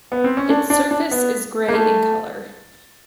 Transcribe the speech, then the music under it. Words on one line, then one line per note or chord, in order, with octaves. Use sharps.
Its surface is grey in color.
B3
C4
C#4
D4
D4
D4
B3
A#3
A3